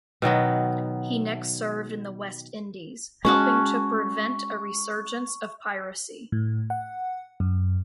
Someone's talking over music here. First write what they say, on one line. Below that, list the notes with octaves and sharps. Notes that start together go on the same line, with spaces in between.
He next served in the West Indies, helping to prevent a resurgence of piracy.
B2 D#3 F#3 B3
G#3 C#4 F#4 A5 C#6
A2
F#5
F#2